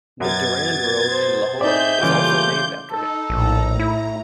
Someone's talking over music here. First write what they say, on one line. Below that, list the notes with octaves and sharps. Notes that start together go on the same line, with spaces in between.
The Durand Road in Lahore is also named after him.
F#2 B2 G#6 A6
C5
A2 C4 D#4 G#4 D5 E5 G6
A#2 C#3 E3 G3 A3 F4 D6
D#4 A4
A#1 A2 A#5
E4